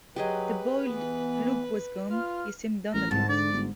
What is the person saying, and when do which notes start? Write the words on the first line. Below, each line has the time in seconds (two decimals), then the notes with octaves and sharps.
The boiled look was gone, he seemed done at last.
0.16 F#3 G4 G#4 B4 D#5
0.86 E3 B3
2.10 F4 F6
2.94 A1 A#4
3.11 C2 G#2 A5
3.29 D3 D5
3.52 G1